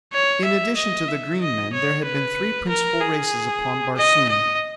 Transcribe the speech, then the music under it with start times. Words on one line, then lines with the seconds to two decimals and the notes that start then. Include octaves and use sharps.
In addition to the green men there had been three principal races upon Barsoom.
0.13 C#5
0.45 E5
0.76 D#5
1.08 E5
1.41 D#5
1.73 C#5
2.05 B4
2.69 A#4
3.01 G#4
3.97 D#5
4.29 D#5